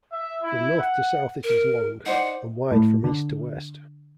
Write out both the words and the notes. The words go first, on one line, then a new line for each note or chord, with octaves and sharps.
From north to south it is long, and wide from east to west.
E5
E4
F#5
A#4
D#4 C5 D5 F#5
A2
D3